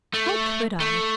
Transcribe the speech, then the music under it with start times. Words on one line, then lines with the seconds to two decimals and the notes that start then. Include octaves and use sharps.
How could I?
0.14 A3
0.80 A3